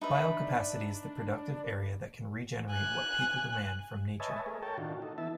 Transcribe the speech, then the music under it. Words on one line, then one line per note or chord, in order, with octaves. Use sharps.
Biocapacity is the productive area that can regenerate what people demand from nature.
D4 D#4 B4 E5
G#5 F#6
B4 C#5 D#5 E5 G#5 A5
A3 G#4 A#4
A4 A#4 C#5 G5 A5
A2 D#3 D4 F4 F#4
D#4 A4
E3 B3 E4 E5 A5